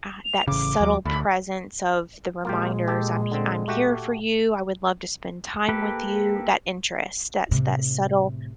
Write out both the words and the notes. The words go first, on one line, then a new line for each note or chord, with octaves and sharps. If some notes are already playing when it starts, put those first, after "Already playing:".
uh that subtle presence of the reminders, "I'm he I'm here for you. I would love to spend time with you." That interest, that's that subtle
F7
A1 C#3 D6
D#2 F#3
D2 B5
A#2 G#3 A#3 F4 G4
G4 A4
D3 C4
A3 F#4 G4
A#3 G4 A4 B4
A2 C3